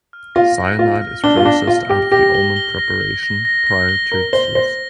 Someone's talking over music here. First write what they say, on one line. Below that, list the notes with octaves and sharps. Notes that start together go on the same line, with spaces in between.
Cyanide is processed out of the almond preparation prior to its use.
F6
F4 A#6
A#6
F4 A#6
F6
D4 G7
F4
D4 A#6
F4 G7
G4 A#6
G4 A#6
G7
G7
A#6
G7
A#6
A#6
A#6
G7
A#4 G7
C5 G7
C5 A#6